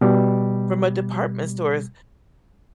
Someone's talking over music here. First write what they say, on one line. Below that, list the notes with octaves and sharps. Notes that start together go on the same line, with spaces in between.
from a department stores,
B2 G3